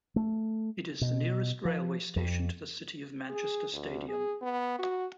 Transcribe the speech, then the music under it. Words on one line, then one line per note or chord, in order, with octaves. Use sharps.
It is the nearest railway station to the City of Manchester Stadium.
A3
B2
F3
F2
G#4
D2
G#4
B3
F#4